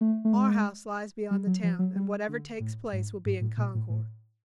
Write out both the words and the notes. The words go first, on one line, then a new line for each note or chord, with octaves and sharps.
Our house lies beyond the town, and whatever takes place will be in Concord.
A3
A3
G#3
G3
F#3
F3
F#3
G3
D3
A2
G#2
G#2
A2
A#2
A2
A2